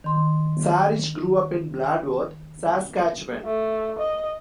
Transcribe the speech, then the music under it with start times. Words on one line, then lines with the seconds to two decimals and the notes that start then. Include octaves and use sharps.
Sarich grew up in Bladworth, Saskatchewan.
0.04 D#3 C6
3.44 A3
3.99 D#5